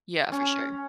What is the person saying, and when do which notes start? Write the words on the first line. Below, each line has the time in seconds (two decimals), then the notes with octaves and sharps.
Yeah, for sure.
0.32 C#4